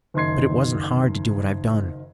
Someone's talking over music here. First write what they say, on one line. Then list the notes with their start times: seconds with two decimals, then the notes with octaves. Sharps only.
But it wasn't hard to do what I've done.
0.14 F#1 D#3 D#5 C6 G#6 C7